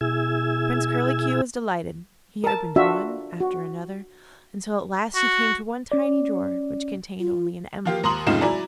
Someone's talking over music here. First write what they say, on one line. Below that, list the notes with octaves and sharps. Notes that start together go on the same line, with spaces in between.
Prince Curlicue was delighted; he opened one after another, until at last he came to one tiny drawer which contained only an emerald key.
B2 E4 G#4 E6 G#6
A#4 A5
D4 F4 F#4 E5
F#4
F#4
C#4 D5
F4
F3 A#3 F4 G4
D#2 A#5 C6 D#6 F#7
F1 A2 C#3 D#4 F4 E7
F#3 E4 D5 G#5 A#5